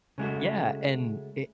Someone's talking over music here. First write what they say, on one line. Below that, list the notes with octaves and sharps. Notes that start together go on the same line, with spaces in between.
Yeah, and it
C#3 G#3 A3 F#4